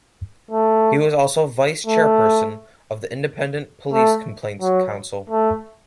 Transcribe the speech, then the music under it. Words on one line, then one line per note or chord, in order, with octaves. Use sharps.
He was also vice-chairperson of the Independent Police Complaints Council.
A3
A3
A3
F#3
A3